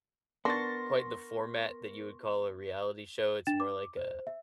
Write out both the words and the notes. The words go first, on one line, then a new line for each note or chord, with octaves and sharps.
quite the format that you would call a reality show, it's more like a
B3 D4 A#4 C6 C#6 A6 A#6
D4 G5 A6 E7
D6
C5
E5